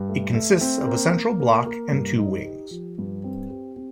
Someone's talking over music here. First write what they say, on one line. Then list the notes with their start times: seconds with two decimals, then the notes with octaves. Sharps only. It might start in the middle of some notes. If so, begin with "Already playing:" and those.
It consists of a central block and two wings.
Already playing: G2
0.09 A3
0.34 A3
0.61 C4
0.87 A#3
1.13 A#3
1.40 A#3
1.66 A#3
1.92 G2
2.18 D#4
2.45 G4
2.71 F3
2.98 G2
3.24 C4
3.50 G4
3.76 C4